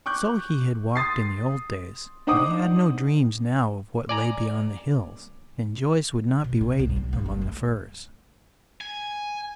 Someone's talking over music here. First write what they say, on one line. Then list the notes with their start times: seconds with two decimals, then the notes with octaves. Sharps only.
So he had walked in the old days, but he had no dreams now of what lay beyond the hills, and Joyce would not be waiting among the firs.
0.06 C#6 D6 F#6 G6
0.96 C6 D#6 A6 C7
2.27 D4 D#4 C5 F#5 D6 D#6
4.09 D5 G#5 A#5
6.44 B2
6.61 D4
6.79 C2
6.96 B1
7.13 A#3
7.26 G1
7.42 A3
8.81 G#5